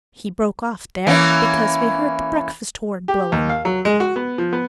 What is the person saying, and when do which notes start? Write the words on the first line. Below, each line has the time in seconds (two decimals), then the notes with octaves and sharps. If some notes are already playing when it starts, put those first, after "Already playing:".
He broke off there, because we heard the breakfast-horn blowing.
1.07 E3 A#3 C#4
3.08 G4
3.32 D#2
3.49 F5
3.65 F#3
3.85 G#3
4.00 F#4
4.16 B3
4.38 F3
4.53 B3